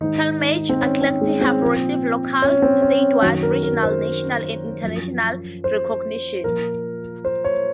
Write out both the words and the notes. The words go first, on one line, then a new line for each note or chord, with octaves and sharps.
Tallmadge athletes have received local, statewide, regional, national, and international recognition.
G#2 D#3 D#4
C4
C#4
C4
G#3
C4
A#2 F3
C#4
C4
C#4
F#2 D#3 F#4
A#4
A#4
C5
F#2 F3
C5
A#2 F3 A#4
C5
C#5